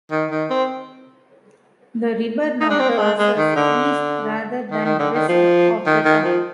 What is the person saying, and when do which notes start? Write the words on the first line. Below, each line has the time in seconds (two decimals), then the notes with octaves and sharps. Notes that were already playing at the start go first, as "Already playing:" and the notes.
The river now passes east rather than west of the town.
0.11 D#3
0.31 D#3
0.50 C4
2.61 D#4
2.70 D4
2.79 C4
2.89 A#3
2.98 G#3
3.18 G#3
3.37 D#3
3.56 D3
4.71 D#3
4.85 D#3
4.99 D3
5.15 D#3
5.28 F3
5.86 D#3
6.05 D#3
6.24 F3